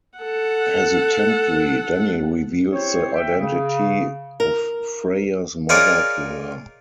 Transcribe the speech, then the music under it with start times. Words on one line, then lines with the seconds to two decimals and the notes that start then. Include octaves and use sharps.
Hesitantly, Danny reveals the identity of Freya's mother to her.
0.19 A4 F#5
2.72 C4 E4 G4 C5 C#5
3.13 E5 G5
3.38 C#3
4.40 A#4
5.69 D#4 F4 G#4 A#4 C#5 D5